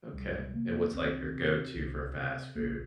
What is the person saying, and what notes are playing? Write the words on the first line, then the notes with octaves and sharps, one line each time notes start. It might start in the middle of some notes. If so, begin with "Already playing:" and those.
Okay, and what's, like, your go-to for fast food?
C2 G3
C3 A#3
C2 C4
C3
C2
C3
A#1 A#3